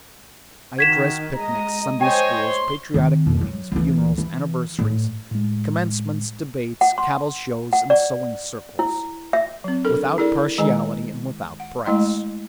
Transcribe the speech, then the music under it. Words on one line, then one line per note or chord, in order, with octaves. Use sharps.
I addressed picnics, Sunday-schools, patriotic meetings, funerals, anniversaries, commencements, debates, cattle-shows, and sewing-circles without partiality and without price.
D#3 F#4 G#6 B6 E7
G#3 D#5 A#5
C5 C#5 D#5 G5 G#5
C6
D#3 C4
F2 B2
F#3
D2 E3
E3
A2
A2 G#3
F#5
C6
F#5
D5
E4
E5
F#3 C4
D4 A4 A#4
E4 G#4 A#4 D5
D#3 G#3 G#4 D#5 G#5 A#5
F#5
G#3 A3 E4 D#5 G5 C6